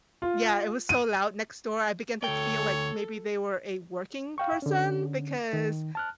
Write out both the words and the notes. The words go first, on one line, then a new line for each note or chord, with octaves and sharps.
Yeah, it was so loud next door. I began to feel like maybe they were a working person because
F4
D#7
D2 A4 C#5 G5
F5 G5 C#6
D3 C#4
D#3
A5 F6 F#6